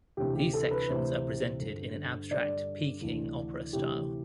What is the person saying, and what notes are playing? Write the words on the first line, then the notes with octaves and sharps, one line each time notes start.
These sections are presented in an abstract, Peking opera style.
D2 C3 E3 G4
G4
A4
B4
D2 C3 E3 C5
G2 D3
G2 D3 D5
D2 C3 E3
D2 C3 E3 G4